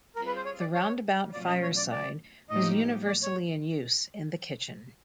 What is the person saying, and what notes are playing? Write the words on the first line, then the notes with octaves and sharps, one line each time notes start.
The roundabout fireside was universally in use in the kitchen.
G3 C4 F4 G#4 A#4
B4
C5
C#5
D5
C#5
B2 F#3 A3 C#4 F4 D5
D#5
C#5
D5
D5
A2 F3 A#3 D#4 G4 D#5
D5
C#5